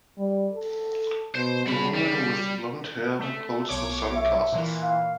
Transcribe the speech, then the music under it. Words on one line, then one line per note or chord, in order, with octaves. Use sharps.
The woman with blondhair holds her sunglasses.
G3
A4
B2 C5
G2 C#3 B5
G3
A3
B1 C#5 D6
E5
A#2 E3
F5